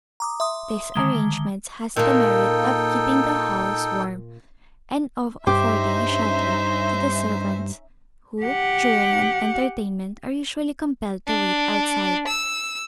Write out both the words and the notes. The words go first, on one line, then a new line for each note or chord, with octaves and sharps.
This arrangement has the merit of keeping the house warm and of affording a shelter to the servants who, during an entertainment, are usually compelled to wait outside.
A#5 D6 D#6
E5 C6 D#6
D3 D#3 G#3 G7
A#2 A#3 D#4 A4 G5
G2 C#4 D#4 G4 C5 E5
G4 F#5
D4
E6